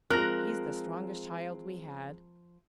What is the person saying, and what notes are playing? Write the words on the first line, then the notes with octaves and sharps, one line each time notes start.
He's the strongest child we had.
F3 G#3 C4 A#4 F#6 A#6